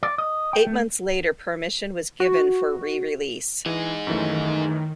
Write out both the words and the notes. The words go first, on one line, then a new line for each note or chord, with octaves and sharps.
Eight months later permission was given for re-release.
D5
D#5
G5
A3
F#4
E3 D#4 G#4
F#2 D#3 E3 A3